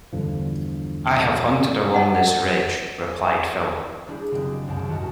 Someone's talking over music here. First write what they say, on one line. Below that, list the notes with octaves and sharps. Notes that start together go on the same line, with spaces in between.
I have hunted along this ridge, replied Philip.
E2 G2 D3 F3
C#5 D#5 F#5
G3 D4 E4 G4 G#4
F#1 D#3 F#3 C4 G5 D#6
C2 F#2 F#3 G#3 A5 D7
G#2 D#3 F#4 A5 A#5